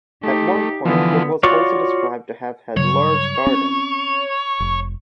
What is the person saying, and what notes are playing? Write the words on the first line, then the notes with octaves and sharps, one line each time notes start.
At one point it was also described to have had large gardens.
A3 D#4 G4
D3 E3 F3 B3
F4 F#4 C#5 D5 F5
G2 C#3 F#3 C#5
C4 C#4
F1